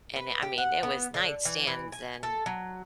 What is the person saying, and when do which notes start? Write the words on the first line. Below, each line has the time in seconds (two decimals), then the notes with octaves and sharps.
and, eh, I mean it was nightstands and
0.16 B4
0.42 G4
0.58 F#5
0.83 B3
1.14 D3
1.45 E3
1.67 E3
1.92 G#5
2.23 A4
2.46 F#3